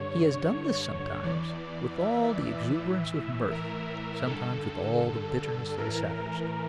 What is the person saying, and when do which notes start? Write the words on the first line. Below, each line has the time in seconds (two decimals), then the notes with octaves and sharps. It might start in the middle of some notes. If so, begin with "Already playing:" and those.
He has done this sometimes with all the exuberance of mirth, sometimes with all the bitterness of a satirist.
Already playing: G2 D3 C#5
1.23 E2 E3 D5
1.99 E5
2.75 A2 E3
3.51 A#4
4.26 G2 D3 A4
5.78 A2 E3 A#4
6.16 A#4